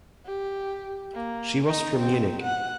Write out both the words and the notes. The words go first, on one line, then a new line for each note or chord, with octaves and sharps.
She was from Munich.
G4
A#3
D#4
C4
F#5